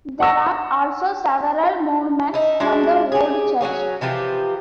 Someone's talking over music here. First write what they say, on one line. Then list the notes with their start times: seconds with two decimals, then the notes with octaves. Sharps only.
There are also several monuments from the old church.
0.20 F#5 C#6 E6 A#6
2.34 D#4 E4
2.60 G#3 D4 E4 F#4
3.12 G4 G#4
3.61 F#3 G3 C#4 G#4
4.01 C3 E3 F3 G4